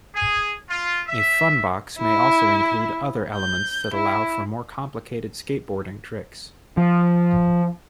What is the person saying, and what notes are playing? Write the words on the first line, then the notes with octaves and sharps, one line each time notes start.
A funbox may also include other elements that allow for more complicated skateboarding tricks.
G#4
F4
E5
E4
G6
E4
F3